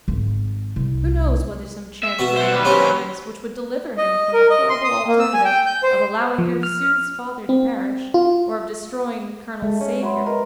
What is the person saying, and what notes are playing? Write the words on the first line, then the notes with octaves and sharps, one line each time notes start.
Who knows whether some chance would not arise which would deliver him from the horrible alternative of allowing Ursule's father to perish, or of destroying the colonel's saviour?
G#1
C2
E5
B2 B3 C#6
C5 F#5
D#2 B4
C#4 G4 C5
D#5
A#4
D#5
C6
D#6
A#3
E6
G#5
G5
G6
C5
F3
F6
C4
F4
G#3 A3
C#4
F#3 E5 B5 C6
A#4 B4 D#5